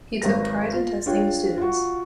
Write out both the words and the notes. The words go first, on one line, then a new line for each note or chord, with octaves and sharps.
He took pride in testing his students.
G#1 F#3 B4 A#6
F4
D4 F4 G#4 C#5 G5
F4 F#4